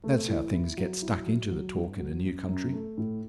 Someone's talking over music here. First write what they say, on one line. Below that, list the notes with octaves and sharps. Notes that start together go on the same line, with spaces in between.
That's how things get stuck into the talk in a new country.
A3
E3
E4
F#3
E4
F#3
F#3
G2
F#3
F#2
F#2
A3
A2